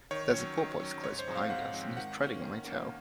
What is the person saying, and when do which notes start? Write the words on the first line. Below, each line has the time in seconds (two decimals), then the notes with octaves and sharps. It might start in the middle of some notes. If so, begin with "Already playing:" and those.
There’s a porpoise close behind us, and he’s treading on my tail.
0.11 D#3 C#5
0.34 F#3 C#4
0.57 D#3
0.80 F#3 C#4
1.03 G#2 C#5
1.19 C5
1.27 F3 G#3 C4
1.35 F5
1.50 G#2 F#5
1.73 F3 G#3 C4
1.97 D#3 F#5
2.21 A#3 C#4
2.44 D#3
2.66 A#3 C#4